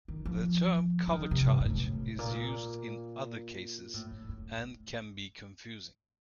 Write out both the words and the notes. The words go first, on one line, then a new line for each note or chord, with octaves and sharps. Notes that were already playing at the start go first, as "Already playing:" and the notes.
The term "cover charge" is used in other cases, and can be confusing.
D#3
F3
F3
D#3
C3
G2
G2
A2
A2
A#2
A2
A2
A2